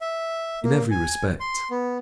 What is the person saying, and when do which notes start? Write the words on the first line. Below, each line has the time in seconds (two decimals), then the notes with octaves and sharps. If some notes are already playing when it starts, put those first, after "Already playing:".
"In every respect."
0.01 E5
0.63 A#3
0.91 G#5
1.40 C6
1.71 B3